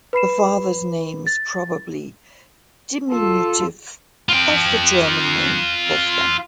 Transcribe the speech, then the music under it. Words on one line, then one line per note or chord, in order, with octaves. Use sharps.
The father's name is probably diminutive of the German name Wolfgang.
B4 B5 C7 E7
A6
F4 A4
F4 G5